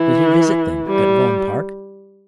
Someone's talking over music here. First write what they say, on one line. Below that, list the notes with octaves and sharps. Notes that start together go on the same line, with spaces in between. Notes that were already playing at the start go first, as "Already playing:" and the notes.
"Did he visit then at Vaughan Park?"
Already playing: E3
G3